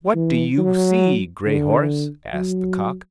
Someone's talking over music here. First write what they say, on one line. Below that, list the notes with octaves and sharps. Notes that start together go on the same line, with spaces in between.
"What do you see, Gray-horse?" asked the cock.
E3
F#3
D3
F#3